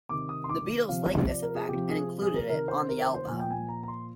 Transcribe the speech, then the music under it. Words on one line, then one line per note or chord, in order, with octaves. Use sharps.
The Beatles liked this effect and included it on the album.
C3 D#3 D6
D#6
C6
D6
C3 F3 F5
D5
A#4
G#4
C3 G4
F3
G#4
G#4
A#4
C3 D#3 A#4
C5
A#4
C5
C5
A#2 F3 G#5
G5
G#5
A#5
A#5
C6